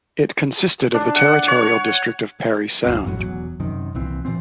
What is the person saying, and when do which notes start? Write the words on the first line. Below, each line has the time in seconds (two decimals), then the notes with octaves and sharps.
It consisted of the territorial district of Parry Sound.
0.94 D4
1.16 F#5
1.48 C#5
2.85 E1 C#2 G2 C4
3.04 A1 F#2 A2 F#3
3.17 E1 E2 F#3
3.60 F#2 C3 D#3
3.95 C2 A#2 E3 C4
4.25 A#2 E3 F3 C4